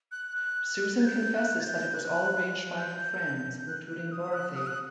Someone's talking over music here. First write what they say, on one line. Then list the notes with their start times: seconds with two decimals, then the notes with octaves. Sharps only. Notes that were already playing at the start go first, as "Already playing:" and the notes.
Susan confesses that it was all arranged by her friends, including Dorothy.
0.12 F#6
1.00 A6
1.05 G6
1.31 G6
1.36 F#6
1.60 A6
1.64 G6
1.90 G6
1.94 F#6
2.78 G6
3.68 F#6
3.90 F#6
4.12 D#6
4.34 F#6
4.56 D#6
4.67 F#6